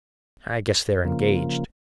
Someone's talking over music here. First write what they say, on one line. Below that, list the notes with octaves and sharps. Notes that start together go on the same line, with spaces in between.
I guess they're engaged.
C#3 F3 A#3